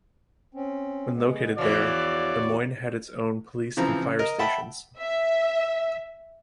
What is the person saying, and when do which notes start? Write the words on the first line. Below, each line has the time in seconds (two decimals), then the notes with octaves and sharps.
When located there, LeMoyne had its own police and fire stations.
0.54 C4 C#4
1.14 G#3 B3
1.58 E2 E3 F3 F#4 C#5 D5
3.77 C#3 E3 F3 C4 A#5
4.02 C#3
4.19 A#4 D#5
4.39 E5 F#5 G5 A5 B5
5.00 E5